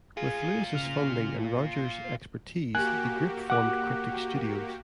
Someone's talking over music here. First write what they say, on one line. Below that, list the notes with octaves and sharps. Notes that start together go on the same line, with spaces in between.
With Lewis' funding and Rogers' expertise, the group formed Cryptic Studios.
A#2 F4 G#4 G#5
C#3 F6
C6
A#3 F#4 G4 G#5 F#6
F#5 D6 F#6